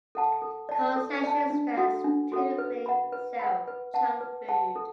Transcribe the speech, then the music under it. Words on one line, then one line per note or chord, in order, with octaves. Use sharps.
Concession stands typically sell junk food.
A4 F#5 A5
A4
D5 A5
A4
D5 A5
D4
F#4 A4 F#5
D4
F#4 A4 F#5
B4
F#5 B5
B4
F#5 B5
B4
F#5 A5
B4
F#5 A5
A4